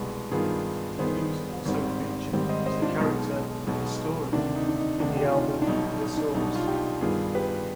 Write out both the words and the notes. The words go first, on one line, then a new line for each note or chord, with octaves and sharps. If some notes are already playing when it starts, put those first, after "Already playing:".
He was also featured as the character "The Historian" in the album "The Source".
Already playing: C2 B2 G#3 B3 G4
G2 D#3 B3 F4 G#4
G2 D#3 B3 G#4 C5
G#1 G#2 D#3 G3 C4
G#1 G#2 D#3 G3 C4
C5 D#5
C5 D#5
D4 F4
B1 B2 G#3 B3 D#4
B1 B2 G#3 B3
D2 C3 D#3 D4
D#4
D4
D#4
D2 C3 D#3 D4
G4
F4
D#4
D4
B1 B2 G3 D#4
D#4
D#4
D4
B1 B2 G3 D#4
F4
D#4 G4
G2 D#3 B3 F4 G#4
G4 B4